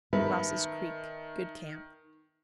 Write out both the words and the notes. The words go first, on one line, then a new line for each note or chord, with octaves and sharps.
Ross's Creek.--Good camp.
D#3 B4 E5 A5